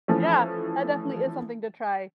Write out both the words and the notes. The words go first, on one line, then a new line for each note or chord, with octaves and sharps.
Yeah. That definitely is something to try.
E3 F3 A3 C#4